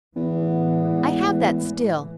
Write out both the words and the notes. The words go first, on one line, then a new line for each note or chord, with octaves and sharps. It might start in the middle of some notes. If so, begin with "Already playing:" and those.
'I have that still.
E2 A2 E3 G#3 B3